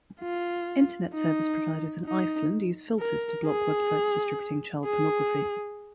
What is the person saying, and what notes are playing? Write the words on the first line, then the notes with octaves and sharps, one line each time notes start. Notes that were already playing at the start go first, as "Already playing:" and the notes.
Internet service providers in Iceland use filters to block Web sites distributing child pornography.
F4
D#4
D#4
A#4
G#4
G#4